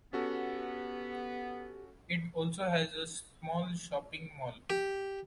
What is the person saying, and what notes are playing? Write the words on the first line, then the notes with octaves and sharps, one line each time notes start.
It also has a small shopping mall.
B3 C#4 F#4 G4 A4
G4